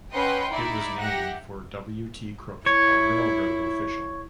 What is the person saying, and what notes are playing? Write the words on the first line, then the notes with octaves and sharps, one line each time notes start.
It was named for W. T. Crook, a railroad official.
C#4 B4 D#5 F#5 G5 C6
D#4 E4 D5 E5
G4 E5 F#5 A#6
E4 C#5